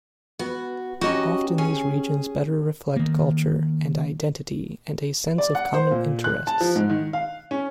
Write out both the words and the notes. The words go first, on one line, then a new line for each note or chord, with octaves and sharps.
Often these regions better reflect culture and identity and a sense of common interests.
B3 F#4
C#4 D#4 F#4 G4 D#5
C#4 G#4
D#3 A#3
D5
F#5
C5
A#2
F#6
A5
F3
G#2
D#3
F5
C#4